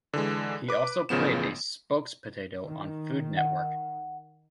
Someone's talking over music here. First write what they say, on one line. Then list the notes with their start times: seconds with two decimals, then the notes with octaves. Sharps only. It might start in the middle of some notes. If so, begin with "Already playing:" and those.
He also played a spokes-potato on Food Network.
0.13 D3 E3 G#3
0.68 B4 D6
1.09 A1 C#3 F3 B3 E7
2.67 D#3
3.37 F#5